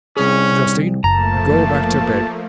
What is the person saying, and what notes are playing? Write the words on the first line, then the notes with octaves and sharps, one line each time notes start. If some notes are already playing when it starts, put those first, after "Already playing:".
Justine, go back to bed.
C2 C#4 G#4
F#1 F3 A3 A#3 A5 A#5